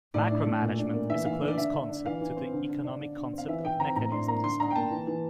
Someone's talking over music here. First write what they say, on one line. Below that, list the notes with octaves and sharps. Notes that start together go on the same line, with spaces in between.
Macromanagement is a close concept to the economic concept of mechanism design.
A2 D5
D4
A3
A#2
D4
A#3
E3 E5
E3 F5
D4
D5
D3 E5
D3
D4
E3 F5
E3
C4
D3
D3
D4
D3
D3
C4
F5
E3 E5
E3 G5
C4 A#5
A2 A#5
D4 C6
A#3 A#5
D3 C6
D4 A#5
G5
A#3 A5
E3
E3